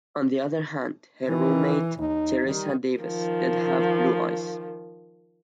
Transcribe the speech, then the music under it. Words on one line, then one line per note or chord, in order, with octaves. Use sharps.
On the other hand, her roommate, Teresa Davis, did have blue eyes.
D#3 E3
D#2 D#4
D#3 G3
D#3 F3